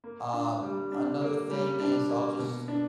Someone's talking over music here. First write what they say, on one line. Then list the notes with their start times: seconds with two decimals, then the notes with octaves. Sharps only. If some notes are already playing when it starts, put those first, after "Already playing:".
Um, another thing is I'll just
0.04 A#3
0.33 D4
0.63 G3
0.92 D4
1.21 A#3
1.51 G3
1.80 D4
2.09 A#3
2.39 B2
2.68 D4